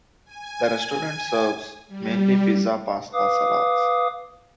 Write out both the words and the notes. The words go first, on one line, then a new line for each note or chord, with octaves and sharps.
The restaurant serves mainly Pizza, Pasta, Salads.
G#5
G3
B4 F5 D6 D#6